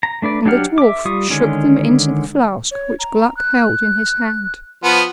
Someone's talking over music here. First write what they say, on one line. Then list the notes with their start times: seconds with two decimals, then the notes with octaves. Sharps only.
And the dwarf shook them into the flask which Gluck held in his hand.
0.03 A#5
0.22 A3 D4 B4 D5
0.45 F#3 D4 G4 F#5 F6
0.78 E5 D6
1.05 G3 F4 C#6 D#6
1.30 D3 D#3 G#3 C#4
2.71 C#5
2.99 A#5
3.37 F#6
4.84 F3 B3